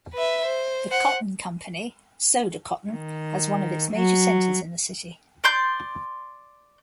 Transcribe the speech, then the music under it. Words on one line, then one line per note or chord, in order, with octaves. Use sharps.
The cotton company Sodecoton has one of its major centres in the city.
B4 E5
C5
C5 F#5
D#3
F#3
D5 C6 G6